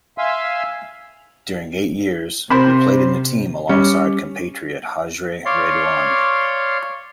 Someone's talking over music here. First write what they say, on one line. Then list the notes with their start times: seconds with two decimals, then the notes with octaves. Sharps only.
During eight years, he played in the team alongside compatriot Hajry Redouane.
0.18 E5 F5 G#5 C6 E6
2.50 C3 C4 A#4 C5 B5
3.69 G3 C#4
5.45 C#5 D5 F5 C6